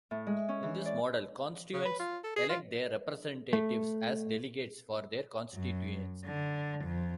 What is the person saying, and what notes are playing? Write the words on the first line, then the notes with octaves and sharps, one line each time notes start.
In this model, constituents elect their representatives as delegates for their constituency.
A2
G#3
C#4
E3
D5
C#3
B4
F4
A4
G#4
F4
A3
F#2
D3
F2